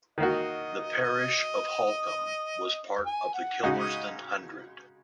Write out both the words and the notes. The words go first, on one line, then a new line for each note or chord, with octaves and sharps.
The parish of Holcombe was part of the Kilmersdon Hundred.
D#3 A#3 F#4 D#5
D#5
G#5
F#5
C#3 G#3 D#4 F#4 D#5
F#5
D#5